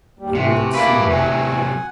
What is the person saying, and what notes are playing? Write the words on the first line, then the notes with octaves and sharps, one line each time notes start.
How would it seem?
D#2 G3
C3 E3 A3 F#4
A#3 E4 B4 D5
C3 F#3 F#5 G#5